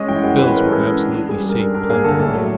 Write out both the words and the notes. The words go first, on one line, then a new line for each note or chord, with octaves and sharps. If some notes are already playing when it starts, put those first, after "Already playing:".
Bills were absolutely safe plunder.
Already playing: G#3 C#4 D#5
E3 G5
F#5
G#3
G#3 B4
C#4 A#4
G#3 A4
C#4
D4
D4
G3 G#4
G3 A#4
D4 A4
D4 A#4
A#3 G#4
D3 A4
A2 A4
F#3